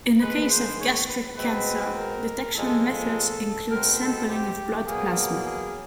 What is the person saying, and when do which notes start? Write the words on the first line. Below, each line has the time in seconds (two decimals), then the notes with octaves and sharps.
In the case of gastric cancer, detection methods include sampling of blood plasma.
0.20 G#2 D#3 G#3 B4
0.50 C5
0.79 C#5
1.07 B4
1.37 B2 G#3 C4 B4
1.95 A#4
2.54 A#2 F3 G#3 A4
3.70 B2 G#3 C4 A#4
4.00 A4
4.29 G4
4.87 B2 F#3 A#3 G#4
5.46 G#4